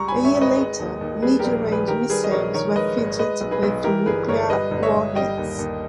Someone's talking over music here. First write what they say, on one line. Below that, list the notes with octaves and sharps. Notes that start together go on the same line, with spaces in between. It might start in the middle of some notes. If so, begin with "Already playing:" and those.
A year later, medium range missiles were fitted with nuclear warheads.
Already playing: C#2 G3 A#5 C#6
G#5 B5
G#1
C#5 E5
G#1
B4 D#5
G#3
D#2
D#2
G3 G#4 B4
A#1 G4 A#4
A#1
G#4 B4
D#3 G4 A#4
G3 G#4 B4
D#5
A#1 A#4 C#5
D#3 A#4 C#5
G#3 B4 D#5
G#1
G#3 B4 D#5
B1
G#4 B4
B1
E3 G4 A#4
G1 G#4 B4
G1 A#4 C#5
G3 B4 D#5
G1
C#5 E5
G1
G3 D#5 G5
D#2
D#2